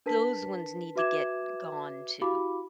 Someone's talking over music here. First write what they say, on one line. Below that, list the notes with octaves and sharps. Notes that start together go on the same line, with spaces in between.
Those ones need to get gone, too.
D4 A#4 B4 A5 B6
F#4 B4 E5 D6 G#6 E7
E4 F#4 G4 F5 B5 D6